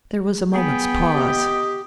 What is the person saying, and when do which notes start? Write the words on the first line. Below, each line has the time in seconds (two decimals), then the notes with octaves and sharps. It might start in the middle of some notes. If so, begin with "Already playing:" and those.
There was a moment's pause.
0.53 B3 G#4 G5
1.14 G4 D#5